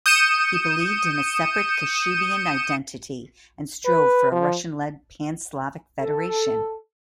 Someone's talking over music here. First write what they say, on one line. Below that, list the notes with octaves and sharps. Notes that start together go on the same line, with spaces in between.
He believed in a separate Kashubian identity and strove for a Russian-led pan-Slavic federation.
D#6 G6 C#7 D#7 E7
B4
F3
A4